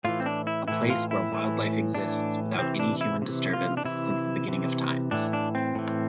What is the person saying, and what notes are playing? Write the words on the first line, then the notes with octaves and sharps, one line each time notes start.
A place where wildlife exists without any human disturbance since the beginning of times.
A2 E3 F4
C4
D4
E4
A2 E3 E4
F4
E4
A2 E3
A2 E3 D4
C3 E3 C4
D4
E4
C3 E3
F4
D4
C3 E3 E4
C3 E3
A2 E3 D4
D4
C4
A2 E3